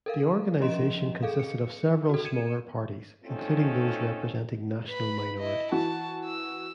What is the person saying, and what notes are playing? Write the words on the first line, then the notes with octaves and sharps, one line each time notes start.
The organization consisted of several smaller parties, including those representing national minorities.
A4 A#4 F5
F3 C#4 D#5 C6 E7
G#4 A4 F5
C#7
F#4 A4
G#6 C#7 D#7 E7
A3 C4 C#4 D#4 F4 A4
B4 B5
E4 D#5
E3 F#4 A5
E6